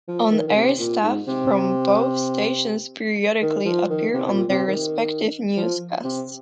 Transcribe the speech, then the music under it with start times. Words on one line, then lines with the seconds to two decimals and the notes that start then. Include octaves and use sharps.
On-air staff from both stations periodically appear on their respective newscasts.
0.08 F3
0.31 D#3
0.48 D#3
0.55 C3
0.79 A#2
1.03 G#2
1.27 C3
3.42 D#3
3.65 F3
3.89 D#3
4.14 C3
4.25 C3
4.31 A#2
4.49 C3
4.67 D#3
5.57 F3
6.04 C3